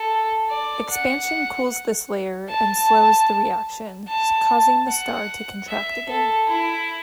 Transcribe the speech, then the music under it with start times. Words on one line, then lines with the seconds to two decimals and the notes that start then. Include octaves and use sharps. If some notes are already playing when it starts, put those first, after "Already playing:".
Expansion cools this layer and slows the reaction, causing the star to contract again.
Already playing: A4
0.50 D5
0.90 F#5
2.49 A5
4.08 A5
4.88 F#5
5.68 E5
6.08 A4
6.48 E4